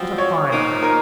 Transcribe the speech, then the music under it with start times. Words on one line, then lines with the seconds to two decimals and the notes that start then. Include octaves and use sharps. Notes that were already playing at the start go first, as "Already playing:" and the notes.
What a fine eye!
Already playing: F3 C4 F#4
0.18 C#5
0.51 A#2 F3 A#3 D#4
0.83 A#4